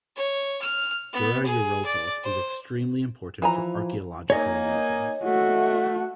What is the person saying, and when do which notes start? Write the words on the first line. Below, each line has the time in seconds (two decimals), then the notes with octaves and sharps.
Dura-Europos is extremely important for archaeological reasons.
0.16 C#5
0.62 F6
1.13 B3
1.46 G#4
1.86 D5
2.24 C5
3.42 E3 F3 G#5 A#5
4.30 A#3 D#4 C#5 D#5 G#5
5.24 A3 F#4